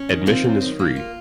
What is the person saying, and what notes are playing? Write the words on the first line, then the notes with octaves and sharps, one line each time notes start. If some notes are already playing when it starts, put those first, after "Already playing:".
Admission is free.
Already playing: C#4
D#3
C4 F4 C5
F#2
D#3
A#3
F4